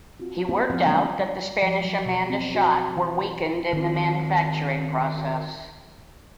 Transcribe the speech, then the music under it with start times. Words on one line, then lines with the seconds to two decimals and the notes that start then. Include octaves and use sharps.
He worked out that the Spanish Amanda shot were weakened in the manufacturing process.
0.20 C4 F4 F#4
0.49 A3 B3 C#4 E4 G4 C5
0.70 F3 C4 F5 F#5
0.86 D3 F#3 G#3 A#3 D4
1.19 G3
1.62 F3
1.85 F#3
2.05 B2
2.30 C4
2.55 F#4
2.97 E3
3.18 F4
3.73 D#3 C4